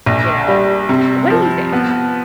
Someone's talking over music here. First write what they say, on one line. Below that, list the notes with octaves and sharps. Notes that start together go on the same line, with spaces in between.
You know? What do you think?
A#1
G3
C3
F3
B3